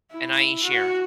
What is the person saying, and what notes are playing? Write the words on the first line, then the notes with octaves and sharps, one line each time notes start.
and I ain't sharing."
E4
F#4